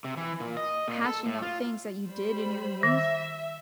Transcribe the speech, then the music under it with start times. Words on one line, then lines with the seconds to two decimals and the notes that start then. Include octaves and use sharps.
hashing out things that you did in your youth,
0.04 C3
0.17 E3
0.40 A#2
0.57 D#5
0.88 A#2
1.05 A4
1.26 A2
1.42 F4
2.07 G3 C5 B5
2.83 D#3 E5